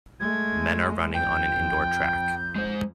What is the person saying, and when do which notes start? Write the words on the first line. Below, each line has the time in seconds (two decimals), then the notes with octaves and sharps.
Men are running on an indoor track.
0.20 G#3 A3 G#6
1.15 F2 G5 G6
2.56 G#3 C5